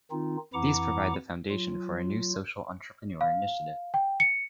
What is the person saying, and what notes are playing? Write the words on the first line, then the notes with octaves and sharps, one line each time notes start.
These provide the foundation for a new social entrepreneur initiative.
D#3 C4 D#4 F4
F2 E3 E4 F#5 A#5 D6
F#3 F4
F5
G5
C#7